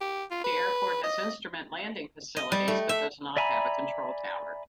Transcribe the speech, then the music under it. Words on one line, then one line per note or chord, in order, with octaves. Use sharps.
The airport has instrument landing facilities, but does not have a control tower.
G4
F4
B4
D#5
D#5
G3
A3
E5
D5 E5 G#5 A#5 B5